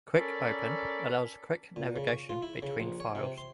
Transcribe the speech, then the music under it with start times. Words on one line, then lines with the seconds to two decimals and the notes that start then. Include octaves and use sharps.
"Quick Open" allows quick navigation between files.
0.18 C#4 A4 A#4 D5 B5
1.76 A#2
1.96 C#3
2.07 C#6
2.29 F4
2.42 E4
2.62 C#3
2.80 A#1
3.00 C#5
3.15 C3
3.38 C6